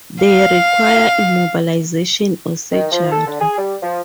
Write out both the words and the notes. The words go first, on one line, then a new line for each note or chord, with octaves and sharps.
They require immobilization or surgery.
F5
D#3
F3
A4
D3
G#4
G3
F3